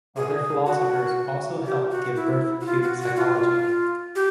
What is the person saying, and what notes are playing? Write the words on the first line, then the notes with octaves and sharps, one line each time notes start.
Other philosophers also helped give birth to psychology.
G#4
F#4
G4
F#4
E4
F#4
F4
F#4
F#4
F4
G4